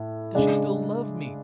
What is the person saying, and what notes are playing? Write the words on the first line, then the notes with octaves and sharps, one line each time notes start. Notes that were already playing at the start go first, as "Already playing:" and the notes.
Does she still love me?
Already playing: A2
C#3 G#3 D4